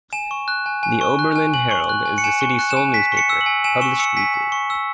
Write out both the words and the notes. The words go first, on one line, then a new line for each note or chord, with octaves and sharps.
"The Oberlin Herald" is the city's sole newspaper, published weekly.
G#5 E7
C#6
F#6
G#5
G#5
C#6
F#6
G#5
G#5 F#7
C#6
F#6
G#5
C#7
G#5 E7
C#6
F#6
E7
G#5
G#5 B6
C#6
C#7
E6
F#7
G#5
G#5 E7
C#6 E7
E6 C#7
G#5 B6
G#5
C#6
E6